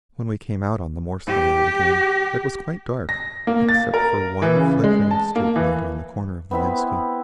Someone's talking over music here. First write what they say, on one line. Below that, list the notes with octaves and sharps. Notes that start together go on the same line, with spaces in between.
When we came out on the Morskaya again it was quite dark, except for one flickering street-light on the corner of the Nevsky.
G4
A#6
A#3
A6
A#4
E3
C#3
G#3
A5
A#3
E3
B3 C4 E4 B4